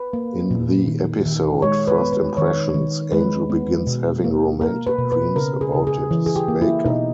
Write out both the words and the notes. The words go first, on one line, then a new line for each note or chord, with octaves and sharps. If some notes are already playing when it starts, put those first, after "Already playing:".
In the episode "First Impressions", Angel begins having romantic dreams about his maker.
Already playing: B4
A#3
A#2
D#3
D#3
G#3 C#5
B4
B3
B4
D#3 C#5
D#3
G#3 B4
B3
B2
A#3
A#3 A#4
B4
B2
B4
C#3 A#4
G#4
C#3
G#4
E3
G#4
G4
A#3
E4
B2 D#4